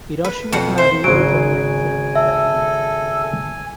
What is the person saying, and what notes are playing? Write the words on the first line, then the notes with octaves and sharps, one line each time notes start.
Hiroshi Watanabe returned later that night.
B4
F2 B2 F#5
C5 E5
G#1 C#3 F#3 G#5 D7
A4 E5